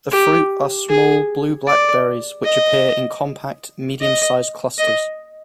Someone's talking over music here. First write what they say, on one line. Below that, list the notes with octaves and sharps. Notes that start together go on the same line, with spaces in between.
The fruit are small blue-black berries, which appear in compact, medium-sized clusters.
G4
G#4
D5
D#5
D#5
D#5